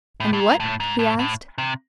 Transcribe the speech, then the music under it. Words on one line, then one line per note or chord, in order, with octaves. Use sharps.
"And what?" he asked.
A2
A2
G#2
A2
G#2
A2
A2
C3